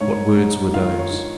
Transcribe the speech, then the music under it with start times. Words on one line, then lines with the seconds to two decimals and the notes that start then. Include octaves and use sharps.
What words were those?
0.01 G#2 C#5
0.37 G#2
0.74 D#3 F4 F5
0.98 C#5
1.11 D#3